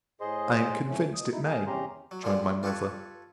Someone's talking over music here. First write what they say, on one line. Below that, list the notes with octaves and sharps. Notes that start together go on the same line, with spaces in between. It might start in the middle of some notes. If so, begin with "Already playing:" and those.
I am convinced it may, joined my mother.
A2 G#4 C5 D#5 C6
A2 F3 A3 C#4
B2 D#6
D#4 E4
A#3 G#4 F5
E2 C3 C#4 G4 A#5 C6
F#3
A#2 D3 F3 G3 G#4
F4 G4 A4 B4 C#5